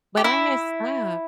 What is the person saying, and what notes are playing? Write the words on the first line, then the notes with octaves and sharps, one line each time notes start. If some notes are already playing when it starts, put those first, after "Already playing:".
But I had stop.
G4
E4